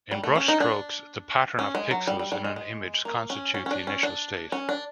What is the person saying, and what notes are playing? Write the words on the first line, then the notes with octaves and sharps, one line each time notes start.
In Brush Strokes, the pattern of pixels in an image constitute the initial state.
G3
A3
C#4
D#4
D4
C#4
G#3
F#3
G3
G3
G3
G#3
G#3
A#3
C#4
C#4
C#4
D4
C#4
D4
C#4
D4